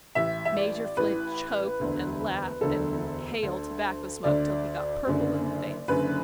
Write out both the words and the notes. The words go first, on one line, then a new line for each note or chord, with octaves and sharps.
Major Flint choked and laughed and inhaled tobacco smoke till he got purple in the face.
A1 A2 E3 E5
E5
D5
A1 A2 E3 B4
E1 D2 D3
E1 D2 D3 A4
D2 D3
D2 D3 D5
F#1 F#2 D3
F#1 F#2 D3 B4